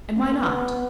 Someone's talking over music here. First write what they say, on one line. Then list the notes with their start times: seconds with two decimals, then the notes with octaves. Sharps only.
"And why not?"
0.15 C#4
0.23 B3
0.30 A#3
0.37 B3